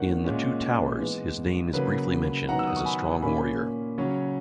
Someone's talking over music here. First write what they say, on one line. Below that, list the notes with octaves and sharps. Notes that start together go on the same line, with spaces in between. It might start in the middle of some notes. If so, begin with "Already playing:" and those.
In "The Two Towers", his name is briefly mentioned as a strong warrior.
Already playing: D#3 A#3 C#4 F#5
A#2 G#3 C#4
E3 G#3 B3
C#3 F#3 A#3 B4
D#3 F#3 B3 F#5 A#5
E6
D#6
C#6
G#5 B5
A#2 A#3 C#4 G#5 B5
C#3 F#3 C#4